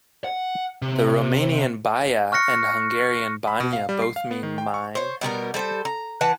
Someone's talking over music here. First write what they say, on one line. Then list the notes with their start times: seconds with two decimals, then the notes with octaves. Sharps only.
The Romanian "baia" and Hungarian "banya" both mean "mine".
0.24 F#5
0.82 C3
2.32 C#6 F6 F#6 A#6 C#7
3.48 B5
3.60 B2
3.73 F5
3.89 G3
4.02 C7
4.16 F5
4.31 B3
4.43 D#3
4.58 G5
4.74 C#6
4.95 C5 C#5
5.21 B2 G3 B3 A#4
5.54 G3 A4 C5
5.85 A#5
6.21 E3 B4 F#5 A5